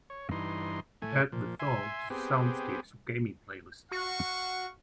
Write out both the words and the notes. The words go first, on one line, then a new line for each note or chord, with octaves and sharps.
Add the song to the soundscapes for gaming playlist.
C#5
G2 E3 D#4 C6
A2 A3 G#5
A#2 F3
E5 G#5 C6
B3 C4 G4 G#4
F#4 F5 F#5 C#6